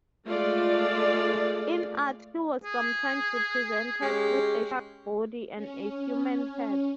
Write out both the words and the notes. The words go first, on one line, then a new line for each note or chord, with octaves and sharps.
In art he was sometimes represented with a shark's body and a human head.
G#3 A3 F4 D5
G#4
G#3 C#4 G4
C#4